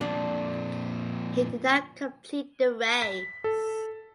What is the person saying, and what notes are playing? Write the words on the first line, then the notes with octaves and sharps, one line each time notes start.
He did not complete the race.
F2 A#2 D4
B6
A4